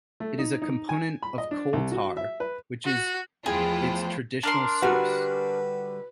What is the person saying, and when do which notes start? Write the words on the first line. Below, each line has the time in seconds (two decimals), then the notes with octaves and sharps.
It is a component of coal tar, which is its traditional source.
0.20 A3
0.38 D#4
0.62 D#4
0.89 G#5
1.23 B5
1.38 D#5
1.51 D4
1.73 C2
1.92 F#4
2.17 E5
2.40 B4
2.85 F#4
3.46 E2 A2 F3 E4 F4 G#4 C5 G5
4.43 D4 A#4 C6
4.82 D3 G3 F#4 B4 G#5